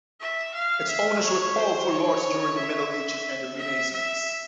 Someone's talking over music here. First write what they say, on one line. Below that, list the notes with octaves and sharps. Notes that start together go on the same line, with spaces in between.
Its owners were powerful lords during the Middle Ages and the Renaissance.
E5
F5
E5
C#5
C5
C#5
E5
E5
E5